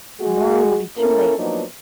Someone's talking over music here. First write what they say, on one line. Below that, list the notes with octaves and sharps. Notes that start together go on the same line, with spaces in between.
"To-morrow will be too late."
G#3 F#4 G#4
A#3 C#4 E4 A4 A#4
F3 F#3 A#3 B3 D4 D#4